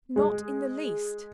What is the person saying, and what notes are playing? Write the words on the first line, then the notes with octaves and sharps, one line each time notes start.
"Not in the least."
G#3